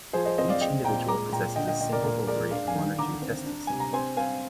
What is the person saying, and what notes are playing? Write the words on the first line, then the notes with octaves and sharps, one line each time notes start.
Each individual possesses a single ovary and one or two testes.
F3 G#4 C5
C5 D#5
C4 C5 D#5
D5 F5
G#3 D#5 G5
A#2 G5 A#5
G#3 A#5 D6
A#2 G5 A#5
D3 D#5 G5
D#5 G5
D3 D#5 G5
A#4 D5
A#2 A#4
G#3 A#4 D5
D4 D5 F5
F5 G#5
D#3
D3 A#5 D6
C4
D4
C3 G#5
A#5
C4 G#5 C6
C4 F5 G#5